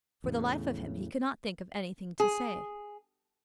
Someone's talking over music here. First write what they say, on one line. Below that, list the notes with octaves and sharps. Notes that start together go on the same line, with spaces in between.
For the life of him he could not think of anything to say.
E2 A2 C#3
G#4